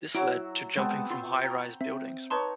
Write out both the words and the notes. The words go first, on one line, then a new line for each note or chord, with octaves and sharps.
This led to jumping from high rise buildings.
F#3 E4 F#4 C#5 E6 D7
G#3 B3 C4 A5
F4 C6
G5 A#5
C4 E5
D#4 B4 C#5 A5 C6